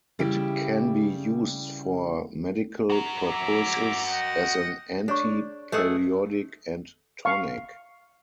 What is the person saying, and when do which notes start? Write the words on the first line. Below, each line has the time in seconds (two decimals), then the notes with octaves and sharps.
It can be used for medical purposes as an anti-periodic and tonic.
0.19 C#3 G3 E4 G4
2.90 F#4 A#4
3.26 E5 A#5 D6
4.06 D#5 F#5 G5
5.08 D4 G#4 C#5 C#6
5.72 A3 G#4 B4 D#5 F#5 E6
7.25 F5 C#6